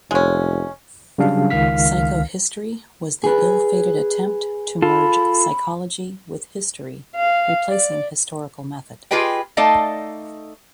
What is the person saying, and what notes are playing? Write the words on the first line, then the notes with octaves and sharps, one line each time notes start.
Psychohistory was the ill-fated attempt to merge psychology with history, replacing historical method.
F1 G#3 C#4
C#3 F#3 G3 D4 F5
C#2 D#3 F5 F6 B6
G#4 B4
F4 A4 B5
F5
D5
F4 G4 G#4 B4 D#5 G5
A3 D#4 A4 D5 D#5 F5